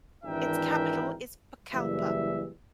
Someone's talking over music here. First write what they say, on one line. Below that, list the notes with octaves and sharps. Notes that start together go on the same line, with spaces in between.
Its capital is Pucallpa.
G#1 E3 D4 A#4 E5 G5
F#1 E3 G3 E5